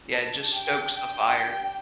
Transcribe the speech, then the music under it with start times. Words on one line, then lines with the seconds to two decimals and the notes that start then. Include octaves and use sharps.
Yeah, it just stokes the fire.
0.13 D4 G4 A5
0.54 G5
0.95 G5